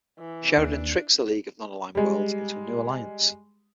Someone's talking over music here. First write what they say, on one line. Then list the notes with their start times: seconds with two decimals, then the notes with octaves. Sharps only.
Sheridan tricks the League of Non-Aligned Worlds into a new alliance.
0.19 E3
0.57 D#2 D4
1.95 G3 G#3